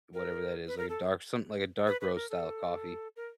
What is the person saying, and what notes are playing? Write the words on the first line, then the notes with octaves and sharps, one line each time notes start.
whatever that is, like, a dark something like a dark roast style coffee.
A#4
B4
A#4
A4
B4
B4
A#4
A4
A#4